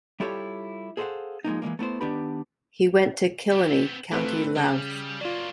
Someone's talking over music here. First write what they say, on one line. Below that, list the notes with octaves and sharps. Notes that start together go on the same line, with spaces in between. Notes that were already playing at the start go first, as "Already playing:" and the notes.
He went to Killanny, County Louth.
G3 E4 F4 G4 A4 C#5
G#4 A4 C5 D#5 F5 F#5
F3 G#3 A#3 D#4
E3 F3 G#3 A#3
A3 B3 E4 C5
D#3 B3 D4 G4 B4 B5
B3 C4
A#2 A3 C4 B4
C#3 G3
F#3 A#3 F4 D5